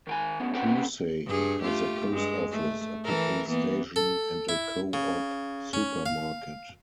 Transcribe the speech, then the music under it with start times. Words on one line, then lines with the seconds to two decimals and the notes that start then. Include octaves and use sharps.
Pewsey has a Post Office, a petrol station, and a Co-op supermarket.
0.07 D#3 G5 G#5
0.40 D2 G2 C#3 B3
0.54 C4 C#4 A4 B4 F#5 G5
1.26 G2 G#4
1.63 A3 F4 G4
2.12 G2 G#3
2.51 A3
3.05 E3 A4 A#4
3.48 E3 A#3 B3
3.96 A4
4.49 E4
4.93 C#3
5.73 C#4
6.06 F5